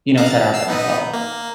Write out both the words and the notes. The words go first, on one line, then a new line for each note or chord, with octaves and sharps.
you know, set out there myself.
F5 A#5 F#6
A6
E6 C7
B3 D#4 B4
A#3